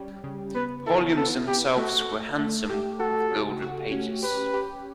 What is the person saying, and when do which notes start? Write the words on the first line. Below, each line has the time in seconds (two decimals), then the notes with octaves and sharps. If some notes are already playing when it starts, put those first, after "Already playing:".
The volumes themselves were handsome, with gilded pages.
Already playing: G3 C#4 G4
0.24 C#3
0.55 B3 B4
0.86 E4 A4
1.17 B3 A4
1.47 B3 G4
1.77 A3 F#4
2.09 A3
2.39 A3
2.70 G4
3.00 F#4 A4
3.31 C#3
3.62 F#4
3.92 C#4
4.22 G4 B4
4.54 G4